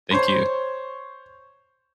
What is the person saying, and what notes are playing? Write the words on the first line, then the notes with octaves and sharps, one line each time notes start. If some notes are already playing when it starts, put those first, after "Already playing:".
Thank you.
C5 C#5 C6